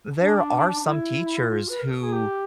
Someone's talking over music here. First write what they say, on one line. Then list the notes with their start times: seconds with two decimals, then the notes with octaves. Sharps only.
there are some teachers who
0.20 D4
0.84 E4
1.48 F4
1.68 B4
1.79 A#4
1.90 A4
2.01 G#4
2.12 G4